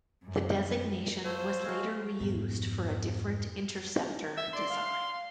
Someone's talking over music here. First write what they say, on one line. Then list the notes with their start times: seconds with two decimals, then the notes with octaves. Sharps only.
The designation was later reused for a different interceptor design.
0.25 F#2
1.25 F4 A4 C5 C#5
1.64 G#3 F#4 F5
2.20 F2 G#2 B2 B3
4.37 E5
4.53 D5 C6
4.68 F5